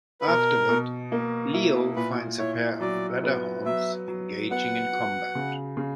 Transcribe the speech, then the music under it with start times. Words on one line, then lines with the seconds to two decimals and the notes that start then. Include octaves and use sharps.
Afterward, Leo finds a pair of Bladderhorns engaging in combat.
0.21 B4
0.27 B2 A#4
0.69 B2
1.12 A#3
1.54 E4
1.96 A#2 B4
2.39 E4 C#5
2.80 F#3 D5
3.24 B3
3.66 F#3 E5
4.08 F#3
4.51 B3 F#5
4.93 F#4
5.35 C#3
5.77 C#3